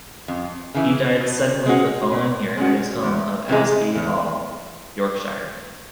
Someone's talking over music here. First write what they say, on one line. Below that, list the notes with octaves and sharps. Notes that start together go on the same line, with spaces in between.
He died suddenly the following year at his home of Aske Hall, Yorkshire.
F2
C#3 E3
B2
G#3 C#4 F#4
B2
G#3 C#4 F#4
E2
C3 E3 G#3
E2